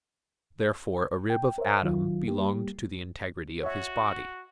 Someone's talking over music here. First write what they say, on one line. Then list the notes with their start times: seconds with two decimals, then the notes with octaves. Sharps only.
Therefore a rib of Adam belonged to the integrity of his body.
1.30 G5
1.58 A#4 C5 C#5 E5
1.82 C#2 D#3 F#3 F4
2.28 G3 A#3 G4
3.63 F#4 C#5 E5